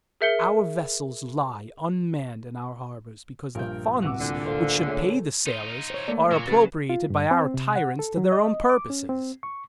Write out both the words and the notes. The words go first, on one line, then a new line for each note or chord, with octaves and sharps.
Our vessels lie unmanned in our harbours, because the funds which should pay the sailors are appropriated by our tyrants to their own purposes.
G#4 A#4 E5 G6 C#7 G7
A#1 G2 A#4 G5
D1 C2 C4 F#4 B4 D6 E6
A#2 D3
A4 A#4 C5 F5
A3 E4 G#4 A4 C#5 G#5 C6
D#4 F4
C5 C#5
A3 A#3 D5
A#2 F#3
C#3 F#4 B4 A6
F4
G2
C4
C3
F#5
A4
F#3
D#5
D6
C#4
C4
C#6